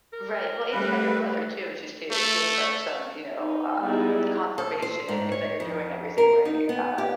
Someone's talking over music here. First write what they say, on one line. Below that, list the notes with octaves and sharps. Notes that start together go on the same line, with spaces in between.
Right. Well, and you have your brother too, just to get like some, you know, uh, confirmation if that you're doing everything right uh,
A#4
G3 A3 B4
A3
D#4
G3 G#3 B3 D#4 E4 G#4
A4
C5
G#2
C#5
F2
A#4
D#4
B3
G4